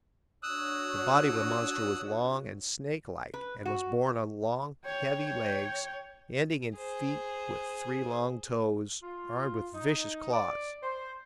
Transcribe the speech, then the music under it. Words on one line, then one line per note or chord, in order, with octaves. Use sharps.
The body of the monster was long and snakelike, and was borne on long, heavy legs ending in feet with three long toes, armed with vicious claws.
D4 F#4 C#5 D#6 E6 F#6
B4
F#4
C#5 G5
G#4 C5
F4
D#4
D5
C5